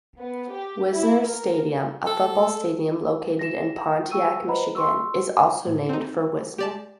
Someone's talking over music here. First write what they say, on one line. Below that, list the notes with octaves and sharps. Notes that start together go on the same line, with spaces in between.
Wisner Stadium, a football stadium located in Pontiac, Michigan, is also named for Wisner.
B3
G4
E4
A#4
A4
A#6 E7
F4 G#4 G5 C#6 E6 D#7
B4 C5 D#5 F#5 A#5 B5
C6 C#6 E6
A2
C4 D#4
G4 D5 A5